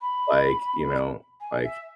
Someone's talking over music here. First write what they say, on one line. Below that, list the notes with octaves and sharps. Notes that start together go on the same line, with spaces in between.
like, you know, like,
B5
G#5
E5